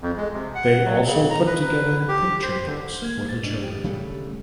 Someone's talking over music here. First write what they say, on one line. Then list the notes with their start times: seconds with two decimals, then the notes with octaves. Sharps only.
They also put together picture books for the children.
0.01 F2
0.17 G#3
0.33 C3
0.55 F#5
0.85 F#3
1.06 C#3
1.30 A#5
1.47 B4
2.08 G4
2.43 C5
2.67 D3
3.02 A#3 G#6
3.29 A6
3.43 G#2 D4
3.63 G4
3.84 C#3 G3 A3